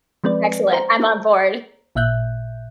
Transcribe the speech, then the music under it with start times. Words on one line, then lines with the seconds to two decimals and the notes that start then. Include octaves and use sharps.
excellent, I'm on board.
0.24 F3 G#3 C4 B4 D5
0.73 C5 A#5
1.95 A1 A#2 E5 F#6 G6